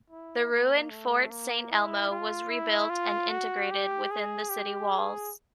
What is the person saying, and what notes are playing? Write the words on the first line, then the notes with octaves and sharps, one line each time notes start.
The ruined Fort Saint Elmo was rebuilt and integrated within the city walls.
E4
A#3
A3
A#3
E4
F4
E4
F4
F#4
G4
G#4
G4
G#4